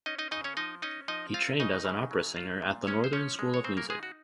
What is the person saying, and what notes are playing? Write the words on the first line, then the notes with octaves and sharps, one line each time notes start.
He trained as an opera singer at the Northern School of Music.
C#4 D#4 D#5
D#4 D#5
C#3 D#4 D#5
C#4 C#5
F3 D#4 D#5
C#4 D#4 D#5
F3 D#4 D#5
C4 F4 F5
C#3 D#4 D#5
C#3
F#3
F4
A#2
G#3 C#4 C#5
C5
F3 C#4 C#5
G#3
C#5
C#3 C4 C5
A#3 A#4
G#3 D#4 G#4
F#4